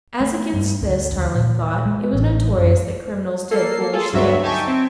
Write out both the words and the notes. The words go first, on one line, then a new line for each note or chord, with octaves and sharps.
As against this, Tarling thought, it was notorious that criminals did foolish things.
A3
G2
D2
D#2
A#2
G#3
A1
F#2
A#3 A4 C7
F4 G#4 A4
D2 G2 F#3 F#4 E5
D#4 G4 E5 G#5 A5 C#6
C4